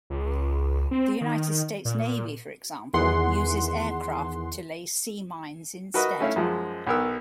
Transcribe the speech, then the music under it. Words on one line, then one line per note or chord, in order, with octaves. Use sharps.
The United States Navy, for example, uses aircraft to lay sea mines instead.
C#2
C4
D#3
A#2
E2 D#3 E3 G#4 F#5 C6
F#4 A#4 B4 D#5
A3 C#4 E4 F5
F#2 F3 G#3
B1 B3 A#4 E6